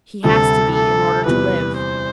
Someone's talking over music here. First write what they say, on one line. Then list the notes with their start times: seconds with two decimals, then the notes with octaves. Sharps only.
He has to be, in order to live.
0.24 D2 C3 G3 A4
0.75 A4
1.25 E2 C3 G3 B4
1.76 C5